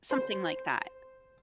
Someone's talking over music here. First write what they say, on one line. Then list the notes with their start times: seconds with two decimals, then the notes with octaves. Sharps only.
Something like that.
0.11 C5